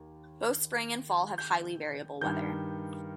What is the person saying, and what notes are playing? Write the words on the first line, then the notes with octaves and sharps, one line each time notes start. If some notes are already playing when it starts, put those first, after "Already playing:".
Both spring and fall have highly variable weather.
Already playing: D#2 D#3
G6
G2 D#3 G6